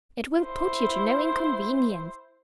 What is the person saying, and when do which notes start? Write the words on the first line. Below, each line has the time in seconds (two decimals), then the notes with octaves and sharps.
It will put you to no inconvenience.
0.45 E4 C5